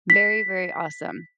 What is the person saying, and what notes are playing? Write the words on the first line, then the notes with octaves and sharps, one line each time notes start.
Very, very awesome.
B6